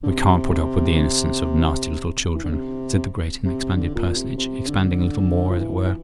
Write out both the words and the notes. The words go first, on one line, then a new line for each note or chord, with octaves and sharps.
"We can't put up with the innocence of nasty little children," said the great and expanded personage, expanding a little more, as it were.
D3
C3
E3
D3
C3
C3
D3
A#2
C3
C3
D3
F3
E3
E3